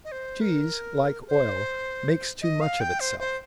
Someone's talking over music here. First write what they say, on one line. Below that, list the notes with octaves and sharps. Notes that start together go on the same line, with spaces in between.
Cheese, like oil, makes too much of itself.
D#5
C5
A#4
C5
D#5
F5
G5
C5
C5